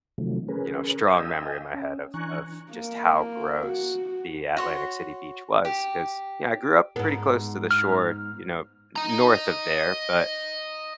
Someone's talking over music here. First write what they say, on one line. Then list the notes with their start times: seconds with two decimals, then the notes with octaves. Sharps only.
you know, strong memory in my head of of just how gross the Atlantic City Beach was 'cause, you know, I grew up pretty close to the shore, you know, n north of there, but,
0.18 C3 D#3 F3 F#3 A3
0.48 C#4 G#4 A#4 B4
1.08 D#5 F5 G5 G#5 D#6 E6
1.74 C#4
2.14 E3 D4 G#5 A#5 C#6 F#6
2.72 A#3
3.66 F#4
4.57 F#4 C#5 C6
5.65 G4
6.96 G#2 B3
7.71 F6
8.96 D#5 A#5